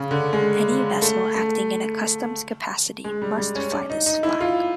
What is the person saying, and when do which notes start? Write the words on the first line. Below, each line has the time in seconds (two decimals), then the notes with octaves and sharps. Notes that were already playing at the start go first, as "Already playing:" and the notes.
Any vessel acting in a customs capacity must fly this flag.
Already playing: C#3
0.11 D3
0.33 G#3
1.02 A3
1.35 A3
3.04 G#3
3.22 G3
3.38 G3
3.55 C#4
3.72 D4
3.90 D#4
4.06 D#4
4.23 E4
4.41 F4